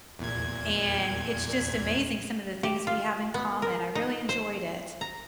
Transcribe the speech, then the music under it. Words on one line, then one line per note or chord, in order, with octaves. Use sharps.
and it's just amazing some of the things we have in common. I really enjoyed it.
E2 A#2 G#6
G4
F4
B3
A#4
D#4
C5
A#5